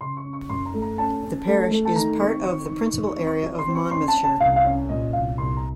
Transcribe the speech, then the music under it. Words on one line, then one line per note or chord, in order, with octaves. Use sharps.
The parish is part of the principal area of Monmouthshire.
C#3 C6
C#6
C#4
C#6
F#2 C6
A#5
A3
A#5
C#4 A5
C#4
A3
A3
A5
D#3 A#5
C4 C#6
D#3 C#6
D#3 C#6
C#6
D#2
C#6
C4
C#6
F#3
C6
C4
C#6
C#4 C6
A5
C#4
A5
C2 F5
F5
C#4
A#2 D#5
C2 F5
C2 C6
A#5